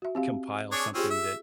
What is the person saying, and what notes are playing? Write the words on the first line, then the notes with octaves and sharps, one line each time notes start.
compile something that,
F#4 E5
C4 G4 F5
D4 G#4 C#5
C4 C#4 F4 G4 G#4
E5